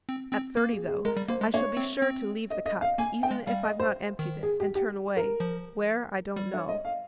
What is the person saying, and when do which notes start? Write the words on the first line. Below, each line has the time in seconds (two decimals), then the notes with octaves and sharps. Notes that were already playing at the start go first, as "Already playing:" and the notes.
At thirty, though, I shall be sure to leave the cup, even if I've not emptied it, and turn away--where I don't know.
0.09 C4
0.33 C4
0.57 A#3
0.73 G#4
0.88 G#4
1.05 G#3 A#4
1.17 G3
1.28 A#3 C5
1.41 G#3
1.53 A#3 C#5
1.77 C4
2.01 C4
2.50 D#5
2.66 D#5
2.82 F5
2.98 A#3 G#5
3.23 G5
3.31 G#3
3.46 G3 F5
3.63 D#5
3.80 C5
4.19 D#3
4.43 G#4
4.60 G4
4.75 G4
5.17 A#4
5.40 F3
6.36 G3
6.54 C#5
6.69 D#5
6.85 F5